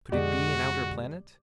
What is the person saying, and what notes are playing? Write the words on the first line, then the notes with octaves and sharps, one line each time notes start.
Could it be an outer planet?
F2 B2 D3 G#3 F#4 G4 D5